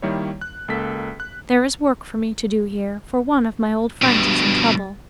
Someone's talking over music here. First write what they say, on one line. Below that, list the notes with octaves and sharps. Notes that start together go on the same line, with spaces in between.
"There is work for me to do here, for one of my old friends is in trouble."
D#3 G3 A#3 E4 C#5
F#6
C#2 A#3 A4 B6
F#6
G2 B2